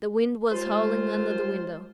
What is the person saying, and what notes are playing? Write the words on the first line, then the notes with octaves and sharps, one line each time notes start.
The wind was howling under the window.
D#2 G#3 F4 C5